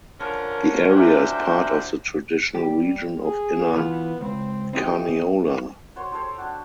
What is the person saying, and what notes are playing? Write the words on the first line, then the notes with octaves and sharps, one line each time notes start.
The area is part of the traditional region of Inner Carniola.
D3 F3 C#4 A#4
F#2 A2 D4 G4 C5 E5
G3 G4
G#4
E3 B3 F4
C#2 C4
E3 C4 D#4 G4
F#4 C5 C#5 C6
G4 A4 C5 C#5
D4 F#4